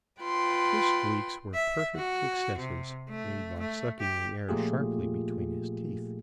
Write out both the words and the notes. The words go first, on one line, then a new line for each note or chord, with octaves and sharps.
His squeaks were perfect successes--made by sucking the air sharply betwixt his teeth.
F4 B4 G5 C6
E5
F#4
C3
A3
A3
G4
A#2 F3 A3 F4 G4 G#4